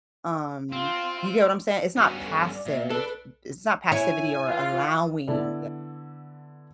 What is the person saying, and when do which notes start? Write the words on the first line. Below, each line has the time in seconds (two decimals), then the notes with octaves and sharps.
um, you get what I'm saying? It's not passive it's not passivity or allowing,
0.72 C4 F4
1.97 G2 B3 C#4 F#4
2.26 A4
2.54 D5
2.66 A#2 E5
2.90 D4 A4 B4
3.92 E4 C#5 G#5
4.47 E3 F4
5.27 D3 B3 E4 A4 D5